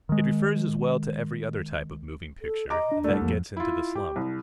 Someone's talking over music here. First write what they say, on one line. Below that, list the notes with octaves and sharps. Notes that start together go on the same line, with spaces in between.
It refers as well to every other type of moving picture that gets into the slum.
D#3 G#3
A4
D#5 A#5 D6
D4
C2 A3 D5
F2 F3 A#3
E4 F4
G4
C2